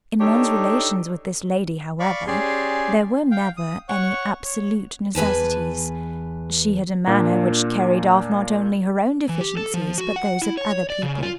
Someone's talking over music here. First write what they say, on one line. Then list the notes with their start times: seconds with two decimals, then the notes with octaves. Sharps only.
In one's relations with this lady, however, there were never any absolute necessities; she had a manner which carried off not only her own deficiencies but those of other people.
0.21 D4 D#4 G4 A4 C#5
2.00 D5 F5 B5 C#6
2.27 C#4 G4 G#4 D5 G#5 C6
3.31 F5 G5
3.57 D#6
3.89 C#5 F#5 C#6
4.45 C#5
5.15 E2 B4 G#5 A5
7.07 A#2 A#3 D4
9.29 E3
9.41 G4
9.57 A4
9.74 F3
9.98 F#4
10.16 F#5
10.42 E4
10.57 C#5
10.90 D5
11.02 C#3
11.22 F4